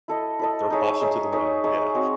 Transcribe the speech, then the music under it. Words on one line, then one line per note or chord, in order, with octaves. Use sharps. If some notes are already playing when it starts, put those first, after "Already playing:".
Like, throw caution to the wind, yeah.
E4 A4 D#5
E4 A4 D#5
D#4 G#4 C#5 E5
D#4 G#4 C#5 E5
D#4 G#4 C#5 E5
D#4 G#4 C#5 E5
C4 D#4 F#4 C#5